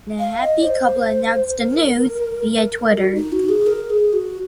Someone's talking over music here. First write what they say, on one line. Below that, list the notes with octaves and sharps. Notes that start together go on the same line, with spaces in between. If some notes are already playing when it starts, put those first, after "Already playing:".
The happy couple announced the news via Twitter.
F5
D#5
C5
A#4
F#4
D#4
F#4
G#4
A#4
G#4
F#4